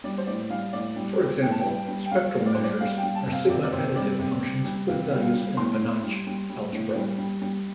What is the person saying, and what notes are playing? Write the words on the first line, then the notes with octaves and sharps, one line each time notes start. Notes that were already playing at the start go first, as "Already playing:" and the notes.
For example, spectral measures are sigma-additive functions with values in a Banach algebra.
G3 D5
C5
A2 D5
G3 F5
A2 D5
G3
G3
A2 G5
A5
G5
G3
G3
G5
G3 F5
A2
D5
G3 C5
D5
G3 F5
G5
G3
A5
C3
F5
C3 D5
D5
C3 C5
G3 D5
C3
G3
G3
C3 F5
G3
F5
G3
A2 C6
A2
G3
G3
G3
A2
G3
G3
G3